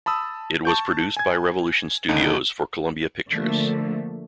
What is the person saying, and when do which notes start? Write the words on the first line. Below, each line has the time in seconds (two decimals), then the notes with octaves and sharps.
It was produced by Revolution Studios for Columbia Pictures.
0.06 A5 B5 D#6 E6
0.65 A5 C#6 G6
1.17 G#5 G#6
2.09 D#2 D3 D#4
3.33 D3 F3 A3 A#3